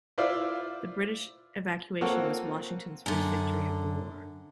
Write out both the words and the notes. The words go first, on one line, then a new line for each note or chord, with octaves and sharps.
The British evacuation was Washington's first victory of the war.
E4 F4 C5 D5 E5 F5
A#3 C4 F4 A4 C#5 F#5
F#2 D3